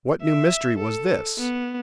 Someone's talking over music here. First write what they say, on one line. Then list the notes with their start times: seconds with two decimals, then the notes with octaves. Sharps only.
What new mystery was this?
0.22 E5
0.78 A4
1.38 B3